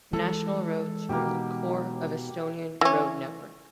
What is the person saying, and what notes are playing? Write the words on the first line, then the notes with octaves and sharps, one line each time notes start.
National roads form the core of Estonian road network.
E3 G#3 A4
B2 A#3 D#4 G4
E3 C#4